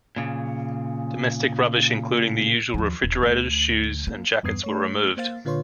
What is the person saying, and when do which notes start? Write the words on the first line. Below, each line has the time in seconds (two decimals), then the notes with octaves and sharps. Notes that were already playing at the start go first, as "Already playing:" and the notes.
Domestic rubbish including the usual refrigerators, shoes, and jackets were removed.
0.16 A#2 C#3
2.74 D#2 F3
3.03 D#1
3.23 D2 D3
4.07 A#3
4.43 E2 G2 B3 D#6 G#6 C7
4.63 A3 C#5
5.17 A#3 C5 F5 A6
5.45 A#2 D3 F4 B4 C#5 C6